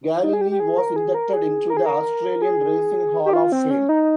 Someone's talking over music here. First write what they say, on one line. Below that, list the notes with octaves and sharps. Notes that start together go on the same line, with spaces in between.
Galilee was inducted into the Australian Racing Hall of Fame.
D#4
G#4
G4
G4
G#4
A#4
G#4
A#4
G#4
A#4
G#4
A#4
G#4
G4
F4
C4
C#4
D#4